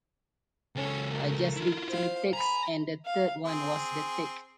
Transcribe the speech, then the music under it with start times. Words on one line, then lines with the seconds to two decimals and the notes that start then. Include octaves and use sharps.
I just did three takes and the third one was the take.
0.75 C#2 C#4 A4 C#5
1.11 A3 A#4
1.56 E4 F4
1.89 C5 F5
2.33 G#5 A#5 B5
3.05 F5
3.45 C4 G#4